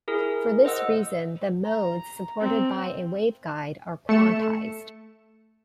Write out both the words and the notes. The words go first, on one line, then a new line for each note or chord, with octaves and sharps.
For this reason, the modes supported by a waveguide are quantized.
E4 G#4 A#4
C5 D#5 F#5 E6
A#5
C4
A3 C#7 E7